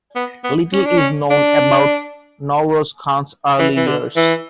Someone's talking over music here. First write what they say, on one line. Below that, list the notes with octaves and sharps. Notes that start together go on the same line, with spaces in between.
Little is known about Nowroz Khan's early years.
B3
B3
C#4
D4
C#4
D4
E3
E3
D3
E3